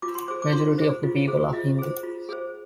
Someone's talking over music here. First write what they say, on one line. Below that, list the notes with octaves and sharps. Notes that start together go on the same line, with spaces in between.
Majority of the people are Hindu.
F4 D6
C6
G#4 C5 D6
D6
F4 C6
G#4 C5
F4
G#4 C5
F4 D#5
G#4 C5
F4
G#4 C5